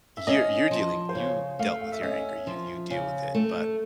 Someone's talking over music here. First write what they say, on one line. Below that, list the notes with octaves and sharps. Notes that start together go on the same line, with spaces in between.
you're you're dealing you dealt with your anger, you you deal with it, but,
E5
C#4 D#5
F3
C5
C#3 C#5
A3 F5
F5
E5
C#4 D#5
E5
F3
C#3
A3